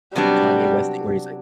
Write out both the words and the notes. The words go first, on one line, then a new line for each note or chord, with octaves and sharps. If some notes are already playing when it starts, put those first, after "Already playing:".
like the Kanye West thing where he's like,
C3 F#3 G3 B3 D4